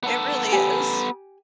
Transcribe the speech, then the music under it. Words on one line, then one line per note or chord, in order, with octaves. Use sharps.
It really is.
B3 A4
G4 G#5